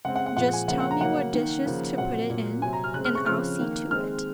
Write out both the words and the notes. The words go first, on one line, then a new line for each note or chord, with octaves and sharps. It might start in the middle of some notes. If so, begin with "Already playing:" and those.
Just tell me what dishes to put it in, and I'll see to it.
C#3 G#3 C4 F#5
F#5
F#5
A#2 F3 G#3 F#5
G#5
C#3 F3 A#3 F#5
F#5
A#5
C#3 F#3 A#3 F#5
D#3 A#3
C#3 F3 A#3
A#2 F#3 C4 F#5
A#2 F#3 A#3
C3 F#3 C4 G#5
A#5
F6
C#3 G#3 C4 F#6
F6
C#6
C#3 F3 C4 F6
D#3 A#3
D#3 G#3 C4 F6